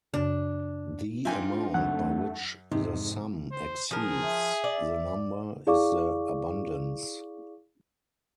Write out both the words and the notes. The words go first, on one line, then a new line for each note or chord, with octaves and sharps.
The amount by which the sum exceeds the number is the abundance.
F#2 C#3 D4
C4 D4 D#4 F4 E5 G5 G#5
F#2 A3 F#5
F2 G#2 C3 D#4
C5
F3 G#4 A#4
E5
D5
E4 G#4 D5 F5 C#6 D6